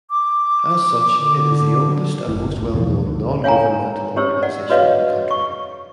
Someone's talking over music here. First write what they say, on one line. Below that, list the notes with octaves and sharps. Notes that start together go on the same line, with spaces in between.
As such, it is the oldest and most well-known nongovernmental organisation in the country.
D6
D3
F#1
B1 A2
E2 B2 E3 F3
D2
C#5 F5 G5 G#5 A#5
C#4 G4 C5 C#5 E6
D5 F#5
F#4 G#4 B4 C#5 D#5 F5
C#6